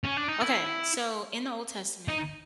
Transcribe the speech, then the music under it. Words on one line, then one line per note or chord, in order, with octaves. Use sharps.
Okay, so, in the Old Testament,
C#4
D4
D#4
E4
D#4